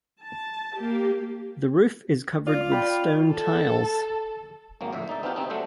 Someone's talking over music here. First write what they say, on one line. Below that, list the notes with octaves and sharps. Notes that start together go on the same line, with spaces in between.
The roof is covered with stone tiles.
A5
A#3 G4
F4 D5
D5 G5 B5
A4
G#1 F#3 A#3
F2 A2 D3 E5
D#4 G#4 D5 E5
B3 C4 D4 D#4 F4 G4
C3 E3 C4 C#4 D#4
F#3 A3 D4 C5 E5